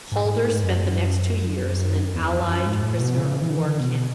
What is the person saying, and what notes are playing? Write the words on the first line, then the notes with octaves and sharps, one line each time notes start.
Halder spent the next two years in an Allied prisoner of war camp.
G#2
G#2
A2
G#2
F#2
E2
F#2
G#2
A2
B2
C#3
E3
D3
E3
D3
B2
B2